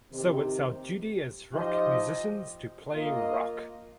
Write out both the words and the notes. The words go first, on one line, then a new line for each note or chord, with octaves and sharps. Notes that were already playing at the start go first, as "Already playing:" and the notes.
So it’s our duty as rock musicians to play rock.
C3 D#3 C4 G4
F3 D#4 G4 C5 D#5
A#3 F4 A#4 D#5